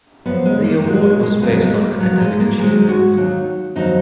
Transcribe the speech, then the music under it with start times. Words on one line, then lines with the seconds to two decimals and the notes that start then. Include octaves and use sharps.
The award was based on academic achievement.
0.26 F#2 F3 B3
0.46 G#3
0.64 A#3
0.83 A#2 F#3 G#3
1.03 G#3
1.23 G#3
1.42 F2 C#3 F#3 B3
1.62 G#3
1.81 A#3
2.00 G#2 F3 F#3
2.20 G#3
2.40 A#3
2.59 G#2 D#3 F#3 G#3
2.88 F#4
3.17 D#2 D#3 F#3
3.76 F2 D#3 F#3 D#4